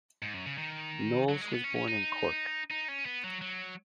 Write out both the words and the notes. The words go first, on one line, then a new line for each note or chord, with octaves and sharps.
Knowles was born in Cork.
G#2
F#2
C#3
D#3
F#3
G#3
B3
C#4
C#4
D#4
D#4
C#4
B3
F#3
F#3